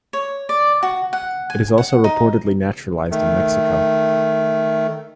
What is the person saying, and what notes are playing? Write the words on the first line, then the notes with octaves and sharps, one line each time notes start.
It is also reportedly naturalized in Mexico.
C#5
D5
F#4
F#5
G#5
F#5
D#4
D#3 A3